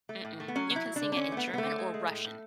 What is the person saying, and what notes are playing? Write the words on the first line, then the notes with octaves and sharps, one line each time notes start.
Mm-mm, you can sing it in German or Russian,
A3
A2
A3
B3
F#3 C#4
F#3
E4
F#3
D4
D3
D4
D3 C#4
A3 B3
A3
B3
D3 A3
G#3
G#3
A2
A2